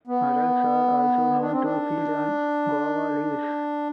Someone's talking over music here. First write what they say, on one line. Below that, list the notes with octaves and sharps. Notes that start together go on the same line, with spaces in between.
Adults are also known to feed on guava leaves.
B3
D4
C4
D4